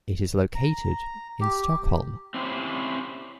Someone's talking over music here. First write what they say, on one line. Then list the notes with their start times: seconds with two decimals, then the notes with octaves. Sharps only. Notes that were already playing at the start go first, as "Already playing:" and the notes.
It is located in Stockholm.
0.55 A#5
1.41 G4
2.34 C4 C#4 E4 G4 C5